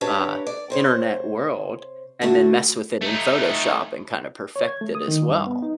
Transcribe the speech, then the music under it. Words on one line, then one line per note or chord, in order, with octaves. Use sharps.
uh, internet world and then mess with it in Photoshop and kinda perfect it as well.
D4 E4 G4 A#4 B4 C#5
D5
C3 C5 C#5
D3 A3 F#4
A3 D#4
C#5
G#6
A3
D#6
D#3
G2
B3
D#4